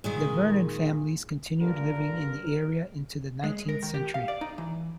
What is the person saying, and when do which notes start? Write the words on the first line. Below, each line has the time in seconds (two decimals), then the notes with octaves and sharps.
The Vernon families continued living in the area into the nineteenth century.
0.04 A#2 D#3 G#3
1.61 G2 A#2 D3 A#4
3.44 G#3
3.69 A#4
3.83 D#3
3.94 G4
4.14 F5
4.28 D5
4.41 D#4
4.58 E3